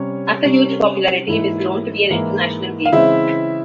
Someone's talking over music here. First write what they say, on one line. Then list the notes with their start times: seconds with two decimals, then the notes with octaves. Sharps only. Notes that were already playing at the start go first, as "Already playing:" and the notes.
After huge popularity it has grown to be an international game.
Already playing: C3 G3 C#4 C#5
0.44 C3 G3 C#4
1.27 G#2 E3 A#3 E4
2.10 G#2 E3 A#3 E4
2.85 F5
2.93 C#3 E3 G#3 C4 E4 E5